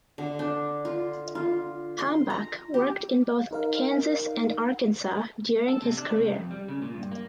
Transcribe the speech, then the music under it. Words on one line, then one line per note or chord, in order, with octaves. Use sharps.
Hambach worked in both Kansas and Arkansas during his career.
D3
D4
F4
F4
C6
A#5
G4
D#4 A#4 F5
A4
C3
D4
C3
F2
G3
C#3
A#2
G2
A#3